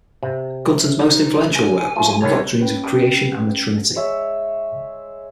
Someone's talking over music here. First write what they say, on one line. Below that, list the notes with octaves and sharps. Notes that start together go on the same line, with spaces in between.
Gunton's most influential work was on the doctrines of Creation and the Trinity.
C3
D#4
G#5
F3 A3
C2 D#3 C#5
C#4 B4 G5
G#3 C#5 E5